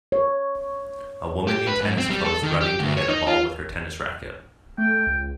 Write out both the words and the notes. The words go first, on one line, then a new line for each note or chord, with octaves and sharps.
A woman in tennis clothes running to hit a ball with her tennis racket.
C#5
G4
B4
G#2
C4
G3
A4
D#3
G4
D2
C#5
D#4
F4
A3 G5
C#2